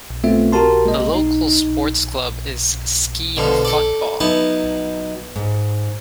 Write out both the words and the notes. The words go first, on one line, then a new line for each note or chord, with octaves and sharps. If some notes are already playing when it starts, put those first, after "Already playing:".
The local sports club is Skeid Fotball.
A3 B3 C4 F4 E5
F#4 G4 A#4 A5 C6
G#3 A#3 D#5
D#4
B2 D3 F3
A4 D5
F#3 B3 D#4 E4 A5
G#2